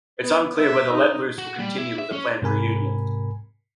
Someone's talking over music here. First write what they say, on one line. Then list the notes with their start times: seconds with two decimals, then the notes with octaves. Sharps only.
It's unclear whether Let Loose will continue with the planned reunion.
0.21 B3
0.57 E5
0.92 D#4
1.38 F#4
1.60 G3
1.78 E4
1.99 E5
2.12 C#4
2.42 G#2 C3 A#4 G#5 B5